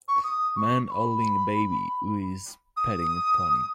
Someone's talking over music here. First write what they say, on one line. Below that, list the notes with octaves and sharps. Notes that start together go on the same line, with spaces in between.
A man holding a baby who is petting a pony.
C#6
D#6
C#6
C#6
B5
D#6